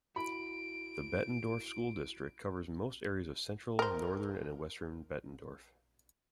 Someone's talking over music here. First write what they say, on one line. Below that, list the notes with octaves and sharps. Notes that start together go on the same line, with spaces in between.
The Bettendorf School District covers most areas of central, northern and western Bettendorf.
E4 F#4 B5 D7
A#4 C5